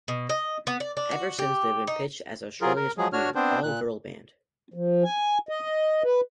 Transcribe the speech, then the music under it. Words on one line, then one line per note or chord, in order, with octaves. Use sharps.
Ever since, they've been pitched as Australia's premier all-girl band.
B2
D#5
B3
D5
D4
F#4
G4
D#4
F#3 F4 G#4 A#4
A#4
F3 F#3 G#3 G#4
D4 F#4 C#5 F6
B3 C4 D4 C5
A#2 F#6
F3
G#5
D#5
B4